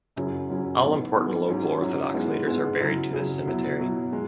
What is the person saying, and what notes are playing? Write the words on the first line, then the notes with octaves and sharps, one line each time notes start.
All important local orthodox leaders are buried to this cemetery.
F#2 C#3 F#3 C#4 E4
F#2 C#3 F#3 C#4 E4
G#2 E3 B3 E4
G#2 E3 B3 E4
G#2 F#3 C#4 E4
G#2 F#3 C#4 E4
G#2 G#3 B3 E4
G#2 G#3 B3 E4
C#3 F#3 E4
C#3 F#3 E4
B2 F#3 E4
B2 F#3 E4
G#3